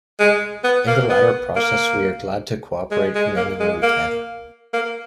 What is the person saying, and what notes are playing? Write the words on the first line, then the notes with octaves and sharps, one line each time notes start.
In the latter process we are glad to cooperate in any way we can.
G#3
B3
A#3
B3
A#3
G#3
G#3
A#3
G#3
A#3
A#3